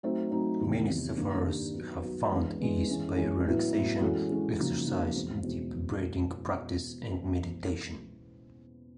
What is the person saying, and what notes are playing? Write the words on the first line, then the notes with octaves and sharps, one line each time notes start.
Many sufferers have found ease by relaxation exercises, deep breathing practice and meditation.
F#3 A3 C4 D#4
F#3 A3 C4 D#4
E2 C3 D#3
E2 C3 D#3
G2 D#3 G3 A#3
G2 D#3 G3 A#3
F#3 B3 D#4
F#3 B3 D#4
E3 G#3 B3 D4
E3 G#3 B3 D4
E3 G#3 C#4
E3 G#3 C#4
A2 F#3 B3 E4
A2 F#3 B3 E4
E3 G#3 C#4 F#4 A4
E3 G#3 C#4 F#4 A4
C#3 F3 A#3 D#4 F#4
C#3 F3 A#3 D#4 F#4
E2 B2 G#3 C4
E2 B2 G#3 C4